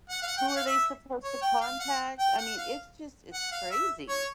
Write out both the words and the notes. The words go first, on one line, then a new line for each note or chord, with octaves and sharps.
who are they supposed to contact? I mean, it's just it's crazy.
F#5
F5
F#5
G5
F#5
F5
E5
C#5
G5
F5
F#5
G5
F#5
F5
F#5
F5
E5
C#5